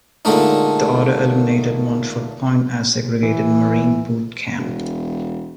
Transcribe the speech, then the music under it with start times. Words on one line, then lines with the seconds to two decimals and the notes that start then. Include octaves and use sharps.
The order eliminated Montford Point as a segregated marine boot camp.
0.25 A#2 D3 G#3 A3 D#4
3.23 E3
4.59 E1